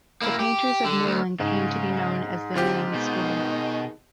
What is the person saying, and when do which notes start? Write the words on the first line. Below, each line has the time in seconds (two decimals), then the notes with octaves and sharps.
The painters of Newlyn came to be known as the Newlyn School.
0.22 A#3 E4
0.39 G4
0.85 D3
1.05 D2
1.40 G#2 C#3
2.55 D3 C4 F4 G4
2.94 B2 D#3 D#4 G#4